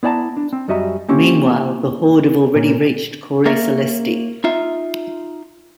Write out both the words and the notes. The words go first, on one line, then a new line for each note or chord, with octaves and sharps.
Meanwhile, the Horde have already reached Cori Celesti.
B3 E4 D5 F#5 A5 A#5
D4
C4
F#2 G3 F#4 D#5 E5 A#5
A#3 C4 C#4 E4 G4
A#2 A#3 C#4
A#3 C#4 A#4 D5 E5
D#4 F4 E5